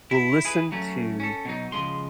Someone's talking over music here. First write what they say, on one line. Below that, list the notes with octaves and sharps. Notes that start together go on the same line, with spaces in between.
will listen to
E4
E4 G#4 B4
F#3 A3 C#4
C#4 A4
B2 F#3 D#4
C#3 F3 G#3 C6